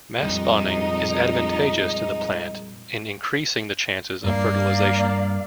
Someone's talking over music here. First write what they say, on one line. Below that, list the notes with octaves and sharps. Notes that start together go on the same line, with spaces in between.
Mass spawning is advantageous to the plant in increasing the chances of fertilisation.
F2 A#2 G3 G#3 D#4 A#4
G2 A#3 D5 F5